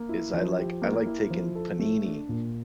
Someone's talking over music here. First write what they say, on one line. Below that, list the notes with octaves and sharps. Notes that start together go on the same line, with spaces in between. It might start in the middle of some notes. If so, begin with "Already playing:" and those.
is I like I like taking panini,
Already playing: A#3
E4
F3
G4
A#3
E4
F3
A4
A3
D4
A#2